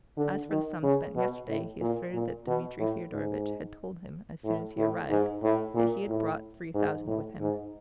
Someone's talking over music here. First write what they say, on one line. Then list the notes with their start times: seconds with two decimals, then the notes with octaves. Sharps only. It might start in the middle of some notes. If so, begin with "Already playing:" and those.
As for the sum spent yesterday he asserted that Dmitri Fyodorovitch had told him, as soon as he arrived, that he had brought three thousand with him.
0.17 D3
0.50 D#3
0.83 C#3
1.16 B2
1.48 A2
1.81 A#2
2.14 A#2
2.47 B2
2.79 A2
3.13 G#2
4.44 A2
4.77 A2
5.10 G#2
5.43 A2
5.75 A#2
6.08 A2
6.75 G#2
7.07 A2
7.40 G#2